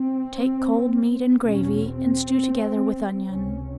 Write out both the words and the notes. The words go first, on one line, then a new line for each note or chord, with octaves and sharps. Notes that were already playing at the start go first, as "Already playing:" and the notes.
Take cold meat and gravy and stew together with onion.
Already playing: C4
E2 B2 C#4
C4
C#2 C3 C#4